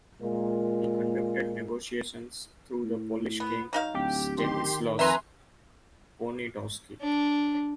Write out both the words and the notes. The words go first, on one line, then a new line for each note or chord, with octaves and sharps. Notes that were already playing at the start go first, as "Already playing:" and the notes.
He conducted negotiations through the Polish king Stanislaus Poniatowski.
A#2 G#3 F4 A#4
A2
B3
F#3 D#4 F5
D1 G4
D#3 G4 C6
F2 B4 E5 G#5 A#5 C6
D4